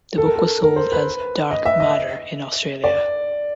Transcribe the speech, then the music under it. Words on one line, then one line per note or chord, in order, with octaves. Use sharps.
The book was sold as "Dark Matter" in Australia.
A4
A#4
A4
A#4
C5
B4
D#5
E5
D#5
D5